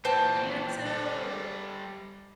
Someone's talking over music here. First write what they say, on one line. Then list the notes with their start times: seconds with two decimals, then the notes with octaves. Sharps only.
You too.
0.05 A#2 E3 C5 G5 A5
0.86 G3 A4